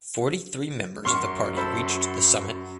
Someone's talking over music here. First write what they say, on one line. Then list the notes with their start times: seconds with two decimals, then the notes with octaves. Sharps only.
Forty three members of the party reached the summit.
1.05 F#2 C6 C#6 F6
1.57 A4 C5 B5